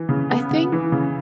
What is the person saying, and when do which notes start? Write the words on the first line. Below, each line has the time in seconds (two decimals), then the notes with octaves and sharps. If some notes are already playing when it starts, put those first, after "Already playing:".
I think
Already playing: E3
0.09 C#3
0.29 B3
0.51 C#3
0.72 E3
0.92 C#3